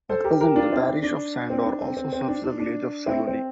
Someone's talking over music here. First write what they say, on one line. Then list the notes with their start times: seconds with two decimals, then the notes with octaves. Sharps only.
At present, the parish of Sandor also serves the village of Saloli.
0.09 A4 C5
0.24 G4 A#4
0.40 G4 A#4
0.56 D4 F4
0.72 C4 E4
0.87 D4
1.03 D4
1.50 C4
1.66 D4
1.81 C4
1.97 C4
2.13 C4
2.28 D4
2.44 D4
2.60 D4
3.06 C4 E4
3.27 C4